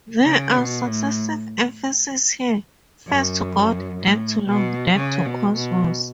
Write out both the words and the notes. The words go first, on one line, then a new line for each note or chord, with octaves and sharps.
There are successive emphases here, first to 'God', then to 'Law', then to 'Cosmos'.
C#3
B2
A2
F#2
A2
B2
C#3
B2
B2